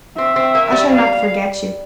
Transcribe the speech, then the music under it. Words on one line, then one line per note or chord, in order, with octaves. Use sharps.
I shall not forget you.
C4 E5
C4
A#3
G3
F5